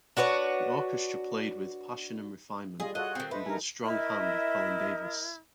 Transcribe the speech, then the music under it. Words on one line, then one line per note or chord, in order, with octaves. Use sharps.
The orchestra played with "passion and refinement" under the "strong hand" of Colin Davis.
D4 F#4 B4 C#5
G3 F4 G#4 D#5
F4 F#4 G#4 A4 C#5 D#5 F#6
D#3 C4
A3 B4 C5 D#5
D#4 A#4 G#5
E4 A#4 D#5 E5